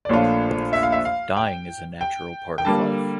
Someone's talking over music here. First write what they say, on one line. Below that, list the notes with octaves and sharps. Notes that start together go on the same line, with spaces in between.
Dying is a natural part of life.
D5
A#1 A#2 A3 D4 F4 C#5
E5
F5
E5
F5
G5
G5
G5
D3 G3 A#3 A5